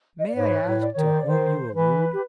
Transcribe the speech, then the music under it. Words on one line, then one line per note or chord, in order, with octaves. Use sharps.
May I ask to whom you allude?
D#5
D5
G#2 B4 C#5
A2
D5
D#3 C#5
C5 D5
C#5
D#3 C5
E3 B4
G4